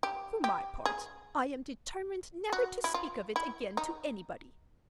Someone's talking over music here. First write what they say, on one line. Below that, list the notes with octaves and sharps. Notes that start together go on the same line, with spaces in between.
For my part, I am determined never to speak of it again to anybody.
G4
G4
G#4
F#4
E4
F4
E4
D#4